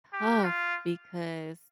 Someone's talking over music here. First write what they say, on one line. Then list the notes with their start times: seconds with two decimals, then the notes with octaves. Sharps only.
tough because
0.13 G4
0.44 F4